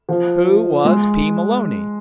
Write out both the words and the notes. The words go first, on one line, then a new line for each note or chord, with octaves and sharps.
Who was P. Maloney?
F3
G#3